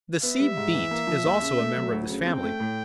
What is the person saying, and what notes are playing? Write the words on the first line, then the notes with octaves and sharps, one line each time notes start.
The Sea Beet is also a member of this family.
B3 E5
G3
G#2
E3
A#3
F3
D#2
C#3
A3
F#3
D2
C#3
C4 G5
A3
A2